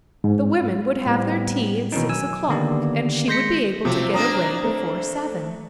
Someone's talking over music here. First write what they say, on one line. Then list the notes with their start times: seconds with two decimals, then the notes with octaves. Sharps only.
The women would have their tea at six o'clock and she would be able to get away before seven.
0.24 G#2
1.06 A2 G3 B3 C4
1.92 B2 D#3 E3 C#4 D#4
2.09 F#3 G#5 E6
2.49 D3 D#3 A#3 B3 G4 D5
3.28 G#3 C6 G6 A#6 B6 C#7
3.85 C3 F3 F#3 A3 C4
4.14 A#3 C4 D4 A#5 D#6
4.64 A3